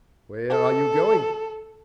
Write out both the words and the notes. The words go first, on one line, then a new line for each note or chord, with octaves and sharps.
Where are you going?
A4